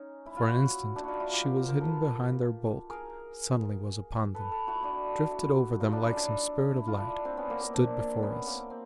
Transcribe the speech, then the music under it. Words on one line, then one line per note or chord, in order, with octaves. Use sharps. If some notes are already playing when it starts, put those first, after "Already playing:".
For an instant she was hidden behind their bulk; suddenly was upon them; drifted over them like some spirit of light; stood before us.
Already playing: C#4 D#4
E4
F4
E4 F#4
D4 E4
D#4 F4 F#4
E4 F#4
F4 G4
A#4 C5
A#4 C5
A#4 C5
A4 B4
G#4 A#4
A4 B4
A4 B4
E4 F#4
D4 E4
E4 F#4
D#4 F4
D4 E4
C#4 D#4
D4 E4
E4
F4
D4 E4
C4 D4
B3 C#4
A#3 C4
A#3 C4
C4 D4
B3 C#4
A#3 C4
C4